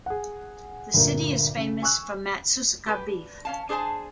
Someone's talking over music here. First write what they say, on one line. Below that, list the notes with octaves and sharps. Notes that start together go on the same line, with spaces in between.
The city is famous for Matsusaka beef.
G#4 F#5
D2 G2 A#2 A#3
C#3
G#5 C#6 E6 F#6
G4 B4
D4
C#4 F5 A5
D4 G#4 C5 G#5 A5